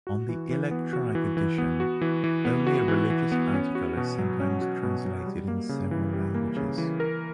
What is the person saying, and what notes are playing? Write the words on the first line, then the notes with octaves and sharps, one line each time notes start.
On the electronic edition, only a religious article is sometimes translated in several languages.
F#4
E3
E3
B3
F#4
E3
E3
B3
F#4
E3
E3
B3
F#4
E3
E3
B3
C#4
F#4
B2
F#3
C#4
F#4
B2
F#3
G3
A#3
C#3
E3
G3
A#3
C#3
E3
A#4